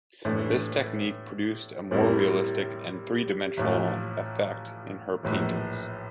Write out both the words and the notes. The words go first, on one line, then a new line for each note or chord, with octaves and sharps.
This technique produced a more realistic and three-dimensional affect in her paintings.
A2 E3 A3 D4
A2 G3 C4 E4 A#4
A1 A2 F3
A#1 A2 E3